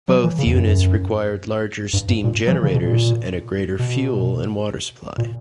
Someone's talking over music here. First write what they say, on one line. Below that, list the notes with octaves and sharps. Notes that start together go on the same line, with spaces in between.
Both units required larger steam generators, and a greater fuel and water supply.
F#3
E3
C#3
E2
F#2
G2
G2
A#2
F#3
E3
C#3
B2
A#2
B2
A#2